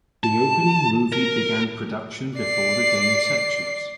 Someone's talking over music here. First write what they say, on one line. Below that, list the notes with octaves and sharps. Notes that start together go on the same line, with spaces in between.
The opening movie began production before the game sections.
A5
A#4
D5 C7